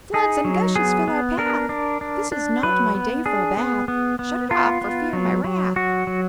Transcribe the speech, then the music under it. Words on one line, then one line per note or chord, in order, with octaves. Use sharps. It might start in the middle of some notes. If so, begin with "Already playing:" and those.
"Floods and gushes fill our path-- This is not my day for a bath! Shut it off, or fear my wrath."
D#4 G#4
F#3
B3 G#4
B3
D4 A#4
D4
D4
D4
F#3 B4
B3
D4 G#4
B3
B3
B3
B3 F4
B3
F#3
F#3
F#3 F#4
F#3